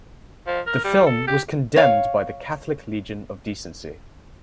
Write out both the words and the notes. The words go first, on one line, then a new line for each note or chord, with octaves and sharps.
The film was condemned by the Catholic Legion of Decency.
F3
A#4
G3
A4
G4
C#5 F5